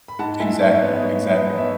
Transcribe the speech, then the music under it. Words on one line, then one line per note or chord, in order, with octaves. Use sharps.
Exactly, exactly.
B5
G#2 F#5 A5
G#2 E5 G#5
G#2 C#5
B3 B4
D#5
G#2 C#5
B3
B4 D#5
B3
D#5
C#5 E5